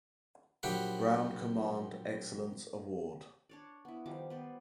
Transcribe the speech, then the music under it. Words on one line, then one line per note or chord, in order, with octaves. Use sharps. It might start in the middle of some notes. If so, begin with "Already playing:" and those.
Brown Command Excellence Award.
A#1 F#3 G4 F#5 B5
D4 C#5 D5
B3 E4
D#3 F3 G3 D6
B3 C5 D5